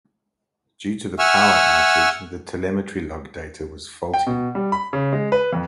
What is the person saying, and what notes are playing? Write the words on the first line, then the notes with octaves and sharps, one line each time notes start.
Due to the power outage, the telemetry log data was faulty.
E5 F#5 G#5 C#6 E6 F6
G5
B2
G3
B5
C#3
G#3
B4
F2